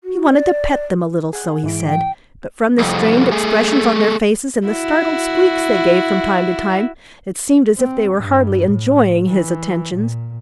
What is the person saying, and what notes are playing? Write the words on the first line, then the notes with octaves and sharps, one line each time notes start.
He wanted to pet them a little, so he said, but from the strained expressions on their faces and the startled squeaks they gave from time to time, it seemed as if they were hardly enjoying his attentions.
F#4
D5
D5
G#4 F#5
G#2 E3 D7
G5
C2 F2
A3 G#4
E4 F#4
C4
G2
A2
E3
A#2